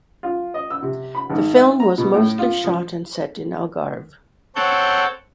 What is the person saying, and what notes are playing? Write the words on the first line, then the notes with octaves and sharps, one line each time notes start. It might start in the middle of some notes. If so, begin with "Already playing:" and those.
The film was mostly shot and set in Algarve.
F4
D#5
E6
C3
B5
G#1
E5
A#5
B2
A2
F4
F3
C4 A4 C#5 F#5 G6